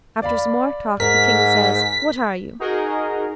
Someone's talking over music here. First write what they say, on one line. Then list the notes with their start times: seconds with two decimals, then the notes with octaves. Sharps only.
After some more talk the king says, "What are you?"
0.22 D5 F5 B5
1.00 G#2 A#4 B6
2.59 D#4 F#4 G#4 A#4 D#5